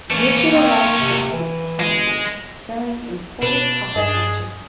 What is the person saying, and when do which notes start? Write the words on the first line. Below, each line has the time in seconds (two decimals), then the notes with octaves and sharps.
Yoshida Watch Shop was successful, selling imported pocketwatches.
0.11 E3 A3 A#3 C#4
0.55 C4
1.00 C3
1.33 E3
1.80 G1 G#3
3.42 B2 D4 B4
3.96 G2 G#4 D#5